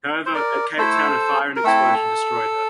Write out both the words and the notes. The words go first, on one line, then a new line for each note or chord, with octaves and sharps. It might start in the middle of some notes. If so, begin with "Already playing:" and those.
However, at Cape Town a fire and explosion destroyed her.
C5
A#4 D5
A3 E4 A4 C5
A#4
A3 C4 E4 A4